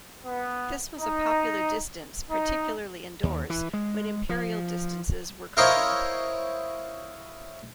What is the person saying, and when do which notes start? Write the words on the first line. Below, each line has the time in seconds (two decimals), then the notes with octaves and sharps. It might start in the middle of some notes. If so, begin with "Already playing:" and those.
This was a popular distance, particularly indoors, when imperial distances were common.
0.26 B3
1.00 D#4
2.31 D#4
3.23 D#2
3.50 E3
3.73 G#3
4.29 F3
5.57 E4 A#4 C5 C#5 D#5 F5